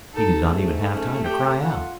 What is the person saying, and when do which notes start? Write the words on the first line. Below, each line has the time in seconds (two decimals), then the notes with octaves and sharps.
He did not even have time to cry out.
0.15 D#4 A4
0.48 G#2 A3 G#4
0.94 C#4
1.24 G4 G5
1.62 F4 F#5